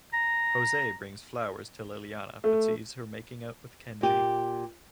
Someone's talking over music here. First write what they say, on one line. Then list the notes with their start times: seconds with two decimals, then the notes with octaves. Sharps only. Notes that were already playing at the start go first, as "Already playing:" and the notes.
Jose brings flowers to Liliana but sees her making out with Kenji.
0.13 A#5
2.44 A3
4.01 A#2 G4